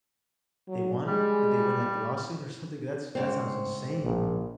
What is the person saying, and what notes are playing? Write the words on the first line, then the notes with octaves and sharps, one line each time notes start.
They won? Did they win, like, the lawsuit or something? That's that sounds insane.
F#3
G3 G#3
G#2 C#3 C4
A#1